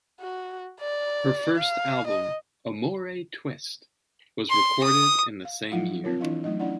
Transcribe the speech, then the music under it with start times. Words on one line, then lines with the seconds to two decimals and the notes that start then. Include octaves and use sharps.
Her first album "Amore Twist" was recorded in the same year.
0.21 F#4
0.80 D5
1.58 F5
2.07 D#5
4.50 C6
4.83 D#6
5.45 F5
5.71 F3 F#3 D#4 F4 F5 F#5
6.04 C4 F4 A#4 C#5
6.21 E3 D4 E4 D#5 F5
6.44 F#3 A3 D#4 D#5
6.60 C#4 D4 E4 D5 F#5